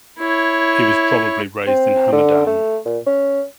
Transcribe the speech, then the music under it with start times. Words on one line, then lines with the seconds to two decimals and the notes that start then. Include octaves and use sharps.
He was probably raised in Hamadan.
0.19 E4 C#5
1.67 C4
2.12 D3
2.47 A3
2.85 A#2
3.06 C#4